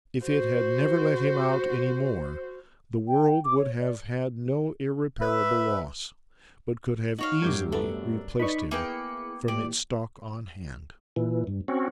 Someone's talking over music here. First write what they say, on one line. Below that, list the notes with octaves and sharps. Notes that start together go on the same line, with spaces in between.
If it had never let him out any more, the world would have had no irreparable loss, but could have easily replaced him from its stock on hand.
F#4 C5
G5
D6
C#5
D5
B4 E5
D#4 F#4 C#5 F5
F#2 G3 D6 G6 G#6
A3 B3 D4
D#4 B4 D5 B5 C#6
A#3 B3 E4 G#4 B4 G5 C#7
A#2 E3 G4 D5
A#2 E3
G2
C4 C#4 F#4